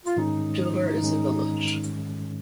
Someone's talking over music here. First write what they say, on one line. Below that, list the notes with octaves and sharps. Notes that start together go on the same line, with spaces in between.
Duler is a village.
F4
G#2 D#3 G#3 C#4 D#4
G#2 D#3 G#3 C#4